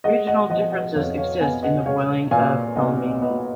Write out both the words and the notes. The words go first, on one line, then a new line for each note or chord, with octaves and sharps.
Regional differences exist in the boiling of pelmeni.
G#3 D#5 F#5
D#5 F#5
F3 D#5 F#5
D#5 F#5
F2 C#5 F5
C#5 F5
B3 F5 G#5
D#5 F#5
G#3 C#5 F5
A#2 F5 G#5
B1 D#5 F#5
B3 B4 D#5